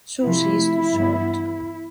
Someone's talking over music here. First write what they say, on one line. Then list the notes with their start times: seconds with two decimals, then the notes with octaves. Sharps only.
Susi is too short.
0.23 C3 F3 A3 E4
0.94 G2 E3 B3